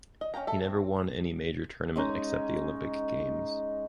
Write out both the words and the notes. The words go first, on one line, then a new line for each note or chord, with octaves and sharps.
He never won any major tournament except the Olympic Games.
D#5
C#4 F5 G5 A#5
A4 E5
C4
G#3 C#4 D#4